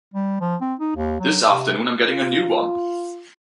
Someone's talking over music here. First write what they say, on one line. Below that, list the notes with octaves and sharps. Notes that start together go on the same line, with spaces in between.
This afternoon I'm getting a new one!
G3
F3
C4
D#4
D#2
F#3
C3
F4